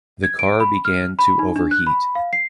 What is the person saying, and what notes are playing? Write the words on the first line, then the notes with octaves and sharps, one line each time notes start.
The car began to overheat.
G#6
D7
B5
F6
B5
D#4
D4
F#6
B5
F5
C7